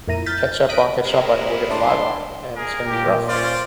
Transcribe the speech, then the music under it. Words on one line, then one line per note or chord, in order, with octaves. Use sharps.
catch up on, catch up on, and we're gonna log on, and it's gonna be rough.
F2 A#2 E4 A#5 D#7
F6 G6 A6 B6
D#6 F#6 A#6 B6 D7
C3 G#3 E4 A#4
D4 C6
G#4 A#4
A#2 G4
C#4 F4 C5 D5